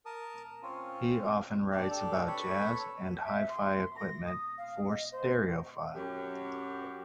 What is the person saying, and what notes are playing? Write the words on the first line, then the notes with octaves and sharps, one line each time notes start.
He often writes about jazz and hi-fi equipment for "Stereophile".
A#4 A5 D#6
C4 C#4 F4
D4 G4 D5
D4 G4 A4
A4 B4 C#5 B5
E5
C6
A#6
D#6
F5
D#5
C5
F#2 G4